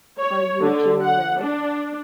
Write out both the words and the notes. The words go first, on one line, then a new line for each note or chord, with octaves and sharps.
Are You Jimmy Ray?
C#5
D3
F#5
D4